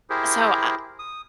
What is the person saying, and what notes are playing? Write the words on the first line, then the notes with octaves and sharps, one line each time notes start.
So, I
E4 G4 G#4 A#4 C5
D#6